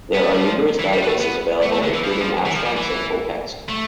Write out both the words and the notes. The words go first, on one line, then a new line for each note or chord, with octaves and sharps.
There are numerous databases available, including abstracts and full-text.
B3
A3
G3
F3
E3
G3
B3
A3
B3
A3
A3
D3
E3
F3
E3
F3
E3
F3
G3
E3
A3